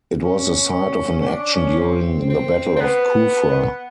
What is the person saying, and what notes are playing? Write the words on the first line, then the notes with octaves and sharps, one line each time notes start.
It was the site of an action during the Battle of Kufra.
C#4
D4
C#4
C4
C4
C4
B3